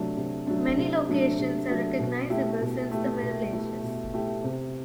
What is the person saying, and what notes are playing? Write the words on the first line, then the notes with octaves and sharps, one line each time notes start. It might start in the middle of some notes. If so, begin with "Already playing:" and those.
Many locations are recognizable since the Middle Ages.
Already playing: C3 F#3 A3 D4
C3
F#3 A3 D4
C3
F#3 A3 D4
C3
F#3 A3 D4
B2
A3 E4 G4
B2
A3 E4 G4
B2
A3 E4 G4
B2
A3 E4 G4
C3